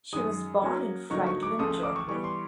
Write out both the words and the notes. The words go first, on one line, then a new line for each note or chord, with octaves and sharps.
She was born in Friedland, Germany.
F#2 D#3 G#3 D#6
F#3 A#3 C#4 F#4 A#4
G2 D3 F#3 A#3 D#4 C#6
C#6
D6
C#2 C#3 F3 A3 D#6
D#6
D6
C#6
E3 G3 B3 C#6
C6